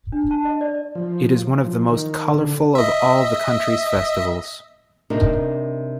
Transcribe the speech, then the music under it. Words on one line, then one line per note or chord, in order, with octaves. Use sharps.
It is one of the most colourful of all the country's festivals.
D4
A5
D#5
D5
F3
F3
D#3
D3
D#5 E5
C3 D4 D#4 A#4